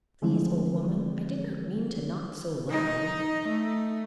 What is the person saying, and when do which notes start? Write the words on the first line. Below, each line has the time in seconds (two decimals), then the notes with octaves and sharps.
"Please, old woman, I did not mean to knock so loud."
0.22 D3 E3 F3 G#3 A3 C4
2.71 D#4
3.48 A3